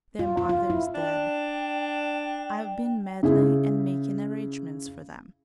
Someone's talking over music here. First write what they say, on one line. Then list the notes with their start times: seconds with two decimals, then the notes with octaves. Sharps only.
Their mother is dead.... I've been meddling and making arrangements for them.
0.19 F4
0.37 F4
0.49 F4
0.70 E4
0.95 D4 G5
3.23 C#3 E4 G#4